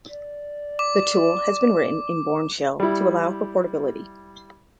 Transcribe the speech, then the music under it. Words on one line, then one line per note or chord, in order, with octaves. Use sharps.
The tool has been written in Bourne shell, to allow for portability.
D5
D6
G3 E4